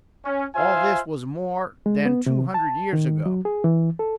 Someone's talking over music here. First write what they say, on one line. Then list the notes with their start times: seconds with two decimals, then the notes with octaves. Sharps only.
All this was more than two hundred years ago.
0.25 C#4
0.55 F4 C5 E5 F5 G#5
1.86 G#3
2.06 B3
2.26 C3
2.54 A5
2.93 D#3
3.26 F#3
3.45 G#4
3.64 E3
3.99 A4